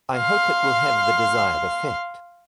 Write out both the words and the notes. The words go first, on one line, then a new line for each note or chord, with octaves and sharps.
I hope it will have the desired effect.
F5 C6